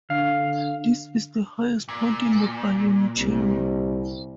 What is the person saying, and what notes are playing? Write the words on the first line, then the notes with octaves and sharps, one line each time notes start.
This is the highest point in the Balleny chain.
D3 F5
A#2
C2